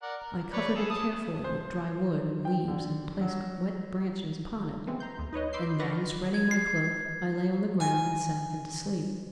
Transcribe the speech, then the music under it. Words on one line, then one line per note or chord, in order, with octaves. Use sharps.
I covered it carefully with dry wood and leaves and placed wet branches upon it; and then, spreading my cloak, I lay on the ground and sank into sleep.
A#4 D5 F#5
A#4
B4 C#5 D5
G#4 A4
A5 D#6
C5
G5
D3
F#3
E3 G#3 B3 C4
A#5 C6 G6
D2
D#4 B4 C#5 D#5
B5 C6 D6 E6 G6 C7
B4 C#6 D6 F6 A6 A#6
G#6
C7
G#5